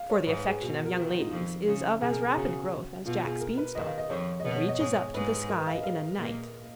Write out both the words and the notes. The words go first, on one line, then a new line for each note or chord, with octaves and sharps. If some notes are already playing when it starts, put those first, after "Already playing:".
For the affection of young ladies is of as rapid growth as Jack's bean-stalk, and reaches up to the sky in a night.
Already playing: F5
C#5
G#2 B4
G#4
B2 F#4
A#4
D#3 F4
F4
D#4
F2 F3
C#3
B2 G#4
A#4
G#4
C#3 F#4
B2 F4
G#4
A#4
B4
D#3 D#5
F5
D#5
F2 F3 C#5
D#5
B2 B3 C#5
C#5
D#5
G#2 G#3 C#5
G#2 G#3 B4
A#4
B4
F5
D#5
F5
A#2 A#3